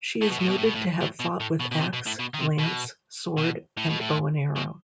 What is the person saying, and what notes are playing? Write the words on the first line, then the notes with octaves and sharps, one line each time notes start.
She is noted to have fought with ax, lance, sword, and bow and arrow.
A2
B2
A2
B2
A2
B2
A2
A2
B2
A2
B2
B2
C3
B2
A2
B2
D#3
C3
B2
B2
A2
B2
A2
B2